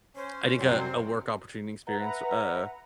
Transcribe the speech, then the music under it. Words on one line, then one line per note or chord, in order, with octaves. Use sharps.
I think a a work opportunity experience w uh,
C#4 C5
F#2 C3 F#3 G3 C4 F#4 C5
B4 E5 F#5 A#5